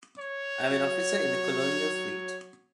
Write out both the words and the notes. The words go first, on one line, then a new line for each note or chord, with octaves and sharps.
I'm an officer in the Colonial Fleet.
C#5
F#3